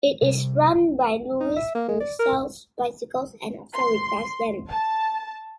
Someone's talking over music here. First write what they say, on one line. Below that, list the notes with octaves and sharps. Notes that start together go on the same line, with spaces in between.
It is run by Luis who sells bicycles and also repairs them.
C3 G3
D#4
E5
A#3
G#3
D5
A#4
C6
A5